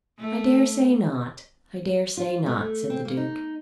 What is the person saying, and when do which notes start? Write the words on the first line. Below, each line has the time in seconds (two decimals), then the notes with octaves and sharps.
"I dare say not; I dare say not," said the Duke.
0.19 A3
2.17 F4
2.46 A3
2.90 C4
3.05 A#3
3.17 D#4